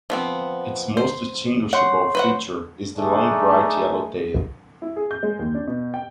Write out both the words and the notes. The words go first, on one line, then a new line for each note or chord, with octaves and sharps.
Its most distinguishable feature is the long bright yellow tail.
F3 B3 C4
C5
C#5 F#5 C6
B4 C5 F#5
A3 D4 D#4 G#4
E4
G#4
G6
G#3
D#2
D4
B2
G5